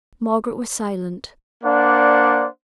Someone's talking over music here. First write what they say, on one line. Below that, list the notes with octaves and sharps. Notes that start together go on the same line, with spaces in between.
Margaret was silent.
A#3 D4 C5 D5 F#5